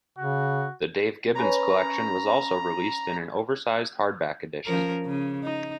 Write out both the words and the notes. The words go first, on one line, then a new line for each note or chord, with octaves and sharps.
The Dave Gibbons Collection was also released in an oversized hardback edition.
C#3 F#4
C#4 B4 C#5 A#5
F3 C#4 A#4
C#3
D#4